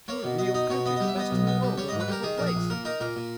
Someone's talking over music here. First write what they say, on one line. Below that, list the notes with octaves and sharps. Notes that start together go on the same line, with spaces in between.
"To a real country--the best in the world--a wonderful place!"
A#3 C#5
B2
B2 D#5
D#4 D#5
B2 C#5
B3 D#5
G3 D#5
E5
B3 D#5
B1
B3
G3
G3 C#5
G#2 D#5
B4
G3 A#4
D#3 G#4
A#1 A#4
G#4
A#1
A#2 A#4
D#4 A#4
A#2 A#4
A#2